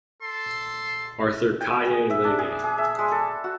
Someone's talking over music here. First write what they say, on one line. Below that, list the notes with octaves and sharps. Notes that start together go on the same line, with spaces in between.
Arthur Kaye Legge.
A4 C6
G5
B3
G#4
E5
D4
G#4
G#4
E5
G#3
A4
F#4